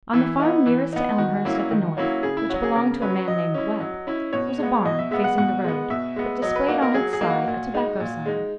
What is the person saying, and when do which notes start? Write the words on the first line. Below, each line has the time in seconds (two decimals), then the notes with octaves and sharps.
On the farm nearest to Elmhurst at the north, which belonged to a man named Webb, was a barn, facing the road, that displayed on its side a tobacco sign.
0.13 E3 E4
0.40 B3 D#4
0.66 E3
0.93 B3 D#4
1.18 D#3 F#4
1.45 F#3 A#3 C#4 E4
1.71 D#3
1.97 F#3 A#3 C#4 E4
2.23 C#3 G#4
2.37 E4
2.49 F#3 C#4 F#4
2.63 G#4
2.75 C#3 A#4
3.02 F#3 C#4 B4
3.28 F#3 D#5
3.54 C#4 E4
3.80 F#3
4.07 C#4 E4
4.33 B2 C#5
4.59 G#3 B3
4.85 B2 D#5
4.99 E5
5.11 G#3 B3 E5
5.24 F#5
5.38 B2 F#5
5.64 G#3 B3
5.90 B2 E5
6.16 G#3 B3
6.42 F#3 D#5
6.56 B4
6.68 A#3 D#4 F#4
6.82 A#4
6.94 F#3 G#4
7.13 G#4
7.21 A#3 D#4
7.30 F#4
7.47 A#2
7.74 G#3 D#4
8.00 A#2
8.26 G#3 D#4